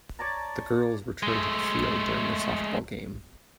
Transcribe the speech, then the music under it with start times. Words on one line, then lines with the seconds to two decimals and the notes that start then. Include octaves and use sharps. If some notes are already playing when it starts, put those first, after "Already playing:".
The girls return to the field during their softball game.
0.19 C#5 D5 A5 A#5
1.23 G#3 A3